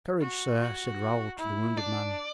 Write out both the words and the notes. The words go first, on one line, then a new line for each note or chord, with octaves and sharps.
"Courage, sir," said Raoul to the wounded man.
F#4
F#4
E4
D4 D5